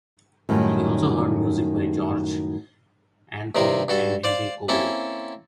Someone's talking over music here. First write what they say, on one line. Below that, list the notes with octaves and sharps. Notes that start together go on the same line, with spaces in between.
He also heard music by George Antheil and Henry Cowell.
F#2 A2 D#3 G3
G2 C3 D#3 C4 A#4
G2 F#4 A4
C5 D5 F5
A#3 C4 C#4 E4 A4